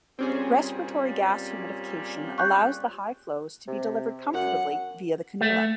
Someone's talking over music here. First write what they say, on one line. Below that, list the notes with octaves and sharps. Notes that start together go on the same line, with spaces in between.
Respiratory gas humidification allows the high flows to be delivered comfortably via the cannula.
A#2 G3 C4 C#4 G#4
C#6 F#6 G6
C3
F#2 F#5
A3